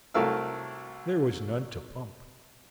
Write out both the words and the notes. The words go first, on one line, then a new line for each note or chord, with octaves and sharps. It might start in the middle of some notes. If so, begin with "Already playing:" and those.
There was none to pump.
C2 F#3 A3 A#4 F5 E6